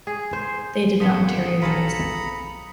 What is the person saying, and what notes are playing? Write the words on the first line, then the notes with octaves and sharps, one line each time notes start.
They did not materialize.
G#4
C5
G#1 A#2 D3 F3 B3 D#6 B6 C#7
B1 F4 G#4 A4 A#5 B5